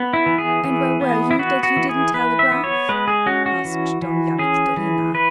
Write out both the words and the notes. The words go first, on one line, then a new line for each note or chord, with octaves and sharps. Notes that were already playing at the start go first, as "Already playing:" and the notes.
"And where were you that you didn't telegraph?" asked Dona Victorina.
Already playing: B3
E4
E3
G#4
E3
B3
E4
B3 F#4
F#4
E3
G#4
E3 B4
E5
B3
C#5
G#3 B4
G#4
C#4 F#4
F#4
E3
E3
C#4 G#4
E3
E3 B4